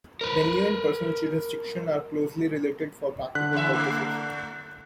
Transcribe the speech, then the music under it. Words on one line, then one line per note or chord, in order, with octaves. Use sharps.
Venue and personal jurisdiction are closely related for practical purposes.
A#4 B4
D3 F#6 B6
D#2 E3 E5
A3